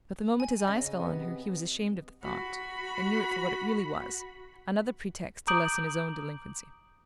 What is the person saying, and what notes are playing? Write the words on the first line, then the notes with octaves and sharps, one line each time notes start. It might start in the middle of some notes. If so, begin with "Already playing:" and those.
But the moment his eyes fell on her he was ashamed of the thought, and knew it for what it really was: another pretext to lessen his own delinquency.
G#5
C#3 D#5
C3 B3
F#4 B5
A#5 D6 D#6 G6 D7 F#7